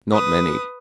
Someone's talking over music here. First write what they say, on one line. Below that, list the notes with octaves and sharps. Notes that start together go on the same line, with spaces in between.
Not many!
B4 D#6